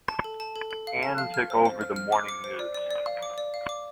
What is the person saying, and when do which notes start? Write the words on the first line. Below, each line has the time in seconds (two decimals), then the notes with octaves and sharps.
Ann took over the "Morning News".
0.08 A5
0.24 A4
0.40 A5
0.56 A4
0.71 A4
0.87 F5
1.03 A5
1.18 F5
1.34 F6
1.50 C5
1.65 C5
1.81 F6
1.96 F6
2.12 D6
2.29 D6
2.44 C5
2.59 D5
2.74 D5
2.91 D5
3.06 F5
3.23 D6
3.38 D5
3.54 F5
3.69 D6